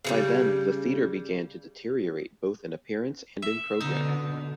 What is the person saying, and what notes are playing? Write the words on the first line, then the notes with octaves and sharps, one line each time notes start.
By then, the theater began to deteriorate both in appearance and in programming.
C#3 E3 G3
E5
B2 D3 D#4